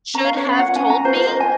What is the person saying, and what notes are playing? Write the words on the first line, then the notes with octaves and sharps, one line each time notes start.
should have told me?"
C#4 A#5
C#4 F5
C#5
C#4 F5
F4 F#5
C#4 G#5
C#4 A#5
F4 C5
F4 C5
D#5
F4
G#5